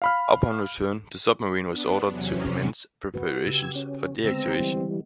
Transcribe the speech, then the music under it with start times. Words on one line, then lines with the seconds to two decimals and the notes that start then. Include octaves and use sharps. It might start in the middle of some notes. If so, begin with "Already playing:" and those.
Upon return, the submarine was ordered to commence preparations for deactivation.
0.02 F5 B5 F6
1.68 B3 D4
2.06 E2 C3 F#3 C#4
3.14 F#4 B4
3.47 C#3 G4 E6 G#6
3.75 C#4
4.24 D3 G#3 B3 C4 A#5 E6
4.60 E3 G3